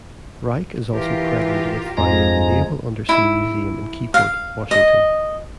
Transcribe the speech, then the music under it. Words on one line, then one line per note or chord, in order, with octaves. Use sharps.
Reich is also credited with founding the Naval Undersea Museum in Keyport, Washington.
E3 F4 G4 A#4
F2 F3 G#3 A#5
E4
F5
D#5